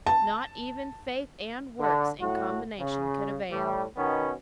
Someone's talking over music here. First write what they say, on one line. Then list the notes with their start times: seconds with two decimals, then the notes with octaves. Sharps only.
Not even faith and works in combination could avail.
0.07 A5
1.80 D3
2.21 A2 F#4
2.80 C#3
3.50 A2 G3
3.96 B2 D#3 B3 C#4